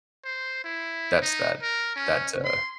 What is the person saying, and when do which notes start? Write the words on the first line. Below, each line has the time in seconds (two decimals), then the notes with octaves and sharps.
that's that that's uh
0.24 C5
0.64 E4
1.22 D#4
1.62 A#4
1.96 C#4
2.45 C6